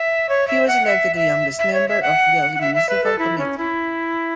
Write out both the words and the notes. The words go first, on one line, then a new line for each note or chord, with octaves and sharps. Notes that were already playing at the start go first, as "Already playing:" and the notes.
He was elected the youngest member of Delhi Municipal Committee.
Already playing: E5
C#5
E5
F#5
E5
E5
E5
C#5
E5
F#5
F#5
E5
E5
B4
A4
E4
C#4
E4